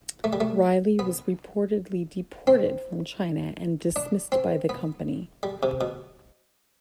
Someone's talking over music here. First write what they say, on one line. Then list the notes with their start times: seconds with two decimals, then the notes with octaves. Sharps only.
Reilly was reportedly deported from China and dismissed by the company.
0.24 A3
0.33 G3
0.40 A3
0.99 B3
2.47 C4
3.96 D4
4.32 C4
4.69 B3
5.43 G3
5.63 C3
5.81 B2